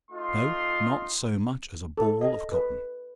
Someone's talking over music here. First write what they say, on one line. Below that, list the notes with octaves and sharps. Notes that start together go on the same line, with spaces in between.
No--not so much as a ball of cotton.
A3 D#4 F4 C6
A4
D#5
B4